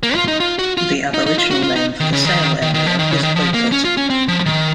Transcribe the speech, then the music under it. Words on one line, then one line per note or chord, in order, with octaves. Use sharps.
The Aboriginal name for the Sale area was Wayput.
A#3
F4
D#4
F4
F#4
F4
D#4
D#4
F4
F#4
F4
D#4
D#3
C#3
D#3
D#3
D#3
F3
D#3
C#3
D#3
F3
A#3
C#4
F4
C#4
C4
F3
D#3